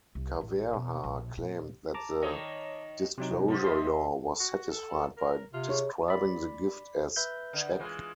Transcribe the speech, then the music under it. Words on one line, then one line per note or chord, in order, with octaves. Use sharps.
Ceverha claimed that the disclosure law was satisfied by describing the gift as 'check'.
C2
A1
B2
A#1
A#2
A5 A#5 D6
D#3 C#5 D#5
C3 F#3 D#4
G#2 F3
D#5 E5 C6
F#4
A4
A#4
C3 F4
G#4 C#5 C#6
D5 B5
B4 E5 G6
D3
E3 G#3 F4